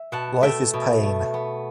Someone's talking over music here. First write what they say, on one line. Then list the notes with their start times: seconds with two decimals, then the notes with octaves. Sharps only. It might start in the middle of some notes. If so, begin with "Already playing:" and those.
Life is pain.
Already playing: E5
0.12 B2 F#5 A5
0.42 A3 E5 G5
0.74 B2
1.03 A3
1.34 B3